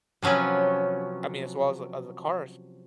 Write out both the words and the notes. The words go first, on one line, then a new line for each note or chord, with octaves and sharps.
I mean, as well as the as the cars
C3 F3 F#3 B3 C#4